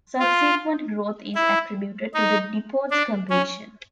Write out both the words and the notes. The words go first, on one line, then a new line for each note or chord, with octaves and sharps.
Subsequent growth is attributed to the depot's completion.
F4
E4
D#4
D4
C#4